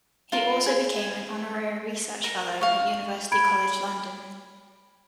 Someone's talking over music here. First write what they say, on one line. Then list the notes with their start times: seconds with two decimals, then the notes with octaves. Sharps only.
He also became an honorary research fellow at University College London.
0.32 F4 A#4
0.66 G#4
2.24 A#4
2.61 F5 C#6
3.32 B5 G#6 D7